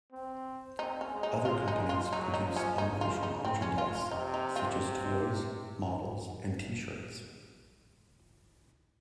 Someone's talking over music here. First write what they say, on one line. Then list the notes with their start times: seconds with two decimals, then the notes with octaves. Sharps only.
Other companies produce unofficial merchandise, such as toys, models and T-shirts.
0.12 C4
0.79 C4 D#4
1.01 C#4
1.13 G#3
1.23 D#4
1.45 G#3 F4
1.68 D#4
1.89 F4
2.12 F#3 D#4
2.34 D#4
2.45 F3
2.56 C#4
2.78 C#3 D#4
3.01 F4
3.23 D#4
3.45 C4
3.62 C#4
3.78 F4
3.95 F4
4.11 C3 D#4
4.34 D#4
4.56 F4